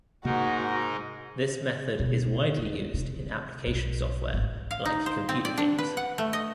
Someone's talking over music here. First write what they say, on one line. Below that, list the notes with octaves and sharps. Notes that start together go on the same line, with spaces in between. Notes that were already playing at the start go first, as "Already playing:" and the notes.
This method is widely used in application software like computer games.
G#2 C3 A#3 D#4 F#4 A#4
B2
E2
C3
B1
G#1
F5
D#4
C5
C4
D5
D4
B4
F#5
A3
D#5